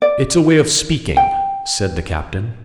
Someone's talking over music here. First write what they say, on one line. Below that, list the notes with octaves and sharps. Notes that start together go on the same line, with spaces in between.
"It's a way of speaking," said the captain.
D5
G5